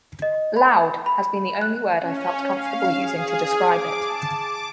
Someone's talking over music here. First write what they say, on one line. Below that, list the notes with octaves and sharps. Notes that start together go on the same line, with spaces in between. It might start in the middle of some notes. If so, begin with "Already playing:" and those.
'Loud' has been the only word I've felt comfortable using to describe it.
D#5
B5
B5
F#6
C#4
F5
G#4
D6
A5
D6